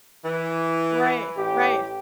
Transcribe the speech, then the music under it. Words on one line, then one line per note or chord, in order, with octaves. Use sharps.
Right, right.
E3
A1 A2 G4